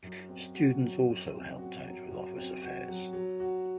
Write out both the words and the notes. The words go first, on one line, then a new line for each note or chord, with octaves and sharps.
Students also helped out with office affairs.
F#2
C4
F#4
F#3
F#2
C4
F#4
F#3
F#2
C4
F#4
F#3
F#3
F#4